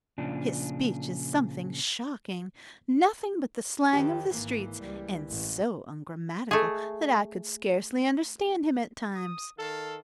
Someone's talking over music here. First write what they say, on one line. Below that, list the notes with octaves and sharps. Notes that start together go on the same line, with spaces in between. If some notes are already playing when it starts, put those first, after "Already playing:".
His speech is something shocking; nothing but the slang of the streets, and so ungrammatical that I could scarcely understand him at times.
A#2 C#3 F3 D4
F2 D#3 G4
G#1 G#2 E3 A#3
C#2 G3
A1
A3 G#4
D#6
D#3 A4 F5